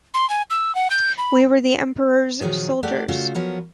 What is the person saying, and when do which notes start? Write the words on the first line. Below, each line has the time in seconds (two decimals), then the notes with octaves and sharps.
We were the emperor's soldiers.
0.14 C6
0.30 G#5
0.50 E6
0.75 F#5
0.90 G6
1.18 B5
2.41 A#2 D#3 F3 F#3 G#4
2.83 A3 G4 D5 F#5
3.08 C#3 A3 F4 F#4
3.35 F3 F#3 B3 A#4